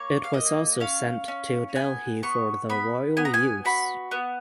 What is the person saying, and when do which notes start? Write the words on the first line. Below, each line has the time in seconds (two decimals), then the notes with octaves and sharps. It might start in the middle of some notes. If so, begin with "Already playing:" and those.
It was also sent to Delhi for the Royal use.
Already playing: A#3 C#5
0.24 F5
0.34 A#3 D#5
0.80 C#4 F5
1.28 C#4
1.75 B3 G#5
2.23 B3 C#6
2.69 B3 B5
3.17 B3 G#5
3.25 A#5
3.34 G#5
3.65 F#4 B5
4.11 B3